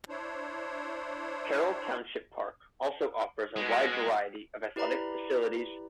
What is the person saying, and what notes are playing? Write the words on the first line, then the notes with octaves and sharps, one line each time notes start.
Carroll Township Park also offers a wide variety of athletic facilities.
D4 E4 C5 C#5
B2 G#3
E4 G4 B4 D5 A#5 B5